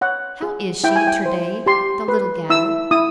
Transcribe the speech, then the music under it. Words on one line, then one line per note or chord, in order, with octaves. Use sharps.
"How is she, ter-day--the little gal?"
C#5 F#5
G#4
E4 G5
G#5
G5
C5
G4 C6
B4
E4 E6
E4 D#6